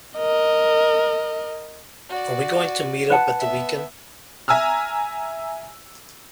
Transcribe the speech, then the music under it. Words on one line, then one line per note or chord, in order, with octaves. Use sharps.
Are we going to meet up at the weekend?
A#4 D#5
F#4 D5
B4 F#5 A5
B3 E5
E5 G#5 A#5 E6 F6